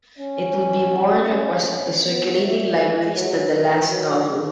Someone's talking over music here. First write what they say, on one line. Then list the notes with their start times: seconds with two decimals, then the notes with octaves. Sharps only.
It would be more in request at the circulating libraries than the last novel.
0.19 C#4
1.30 C#4
2.03 B3
2.40 A3
2.78 G#3
3.15 F#3
3.51 E3
3.88 F#3